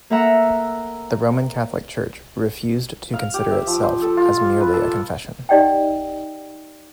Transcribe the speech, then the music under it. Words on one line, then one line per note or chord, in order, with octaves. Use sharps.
The Roman Catholic Church refused to consider itself as merely a confession.
A#3 A4 E5 F#5 A#5
F5
G4
E5
F3
C5
A4
F4
F5
B4
A4
D#4 G4 D5 D#5 F#5 G5